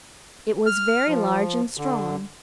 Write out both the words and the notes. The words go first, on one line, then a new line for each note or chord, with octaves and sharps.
It was very large and strong.
F6
F3
D3